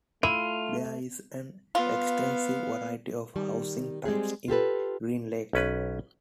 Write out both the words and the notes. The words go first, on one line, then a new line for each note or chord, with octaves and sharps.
There is an extensive variety of housing types in Green Lake.
A3 E4 F4 D#7
B3 F4 F5
D#3 G3
G3 G#3 C4 G#4
F4 G4 A4 B4
B1 C#4 B4